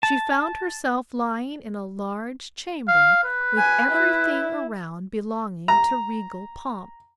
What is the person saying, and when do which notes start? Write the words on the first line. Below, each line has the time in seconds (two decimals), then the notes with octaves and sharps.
She found herself lying in a large chamber, with everything around belonging to regal pomp.
0.03 A5
2.88 F5
3.24 B4
3.58 G#5
3.92 E4
5.68 A#5